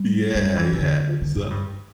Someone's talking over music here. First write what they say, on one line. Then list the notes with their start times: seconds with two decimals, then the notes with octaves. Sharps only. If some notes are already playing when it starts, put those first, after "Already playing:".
Yeah, yeah, so.
Already playing: G3
0.35 G3
0.56 E3
0.72 C3
0.78 D3
1.22 D3
1.36 A2
1.50 G2